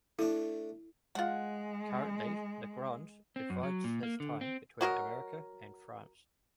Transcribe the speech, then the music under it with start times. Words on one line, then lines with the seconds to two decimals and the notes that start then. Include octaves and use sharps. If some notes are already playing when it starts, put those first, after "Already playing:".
Currently, Legrand divides his time between America and France.
0.19 A3 D4 E4
1.15 G#3 F4 F#5
3.36 C4
3.50 F#2
3.63 F#3
3.84 A#2
4.03 A#3
4.20 D3
4.41 C4
4.81 F#3 F#4 A#4 D#5